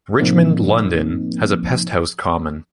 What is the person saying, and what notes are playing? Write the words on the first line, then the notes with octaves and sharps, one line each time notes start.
Richmond, London has a Pesthouse common.
A2 C3 F3 A#3 C4 D#4